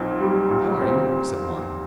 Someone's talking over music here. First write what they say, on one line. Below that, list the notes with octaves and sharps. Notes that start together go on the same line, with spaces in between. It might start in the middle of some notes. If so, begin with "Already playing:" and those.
"How are you?" said one.
Already playing: B1 A#2 C4
G3
A#2
C4